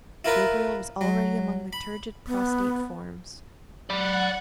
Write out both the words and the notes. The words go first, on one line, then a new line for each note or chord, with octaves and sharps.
Gabriel was already among the turgid, prostrate forms.
E4 F4 A#4 B4
F#3
B5
B3
D5 F#5 B5